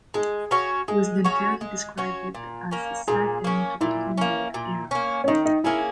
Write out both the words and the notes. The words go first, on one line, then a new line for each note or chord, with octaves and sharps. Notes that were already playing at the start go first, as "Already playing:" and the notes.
Wisden fairly described it as "a sad end to the Illingworth era".
G#3 G#4
C#4 F#4 C#5
G#3 G#4
C#4 F#4 C#5
G#3
C#4 F#4 C#5
A#2
A#3 C#4
A#2 G#4
A#3 C#4
A#2 E4
A#3 C#4
A#2
A#3 C#4
C#4
D#3 D#4
D#4
A#3 C#4 E4 G#4